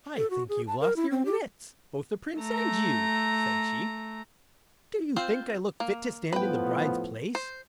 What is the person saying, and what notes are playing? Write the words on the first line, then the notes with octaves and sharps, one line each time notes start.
'I think you've lost your wits, both the Prince and you', said she. 'Do you think I look fit to stand in the bride's place?
A4
F#4
G#4
A5
A#4
E4
C4
G4
A3 A#5
C4 F4 C5
A#3
A2 F3 B3 B4 G5
C5